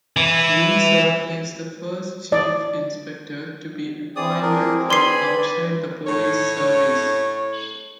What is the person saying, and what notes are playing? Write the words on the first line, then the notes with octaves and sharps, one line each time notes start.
Winsor is the first Chief Inspector to be appointed from outside the police service.
E3
D5
C4 G#4 D5 D#6
D4 E4 A#4
B4 D5 G#5 B5 C6 C7
A2 C#5